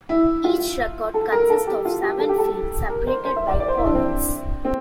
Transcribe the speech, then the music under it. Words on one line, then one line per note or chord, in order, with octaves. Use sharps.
Each record consists of seven fields separated by colons.
E4
F4
A4
A#4
A4
G4
F4
G4
A4
G4
A4
A#4
C5
C5
E5
D5
D5
C5
E4
D4
C4
C4